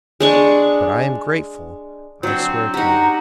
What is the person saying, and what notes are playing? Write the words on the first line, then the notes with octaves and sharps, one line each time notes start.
"But I am grateful, I swear to you."
G#3 D4 C#6
F#3 C4 D4
D#4 F#4 G4 A#5